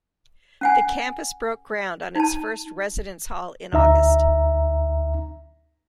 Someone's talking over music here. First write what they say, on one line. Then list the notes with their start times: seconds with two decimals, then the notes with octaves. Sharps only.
The campus broke ground on its first residence hall in August.
0.61 C#4 F#5 G#5
2.15 D#4 A5
3.73 D2 D#4 E5 A#5